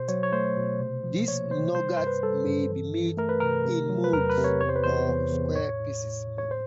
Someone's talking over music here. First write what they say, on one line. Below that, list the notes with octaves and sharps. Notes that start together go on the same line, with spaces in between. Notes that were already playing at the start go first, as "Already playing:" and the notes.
This nougat may be made in molds, or square pieces.
Already playing: B2 C5
F#3 C#5
C#5
A3 C5
B2
C3
F3
A#3 C#5
C3 C5
G3 C5
G2 C5
B4
G3 A4
G2
E3
E3
A3 A#4
B4
C3 A#4
C3
F#3
B4
E2 A#4
B4
C3
C#5
E2 C#5
C5
B4
E2 C5
E2
E2
A2 C#5
A2
A2
A2
C#5
C5